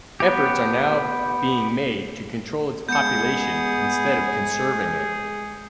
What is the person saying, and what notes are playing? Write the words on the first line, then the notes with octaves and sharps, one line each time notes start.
Efforts are now being made to control its population instead of conserving it.
B3 G4
G#3 B3 G#4 G6 C#7